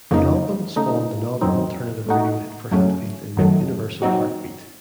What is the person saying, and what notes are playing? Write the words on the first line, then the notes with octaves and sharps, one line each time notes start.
The album spawned another alternative radio hit for Hatfield in "Universal Heartbeat".
F2 C#3 F3 A#3 D#4
C#3 A3 D#4
F#2 D#3 F#3 C4 D#4
A2 A3 D#4 F#4
F#2 C#3 F#3 A3 C#4
F#2 D#3 F#3 A3
A#2 F#3 C4 D#4 F#4